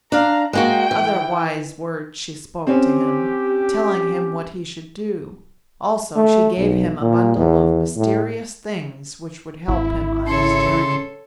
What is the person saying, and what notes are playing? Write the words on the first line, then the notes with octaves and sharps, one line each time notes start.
Other wise words she spoke to him, telling him what he should do; also she gave him a bundle of mysterious things which would help him on his journey.
D4 F5 A#5
G#3 A#3 F#4 G5
E3
C4 C#4 G4
A3
B1
A#2
E2
A2
G#1 E4
C#3 A4 C#5 C6